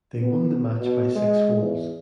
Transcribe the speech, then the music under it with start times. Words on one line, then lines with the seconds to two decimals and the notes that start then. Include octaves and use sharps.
They won the match by six holes.
0.21 B3
0.80 B2
1.15 G#3
1.61 E2